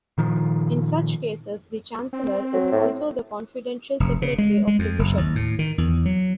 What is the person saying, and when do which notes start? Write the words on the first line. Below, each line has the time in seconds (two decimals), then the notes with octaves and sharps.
In such cases the chancellor is also the confidential secretary of the bishop.
0.18 A#2 D#3 F3
2.13 C4
2.53 F#3
2.72 A2
4.00 F1
4.22 C#3
4.38 G#3
4.67 G#3
4.79 F2
4.99 F#1
5.17 D#2
5.35 A2
5.59 D#3
5.78 E2
6.06 F#3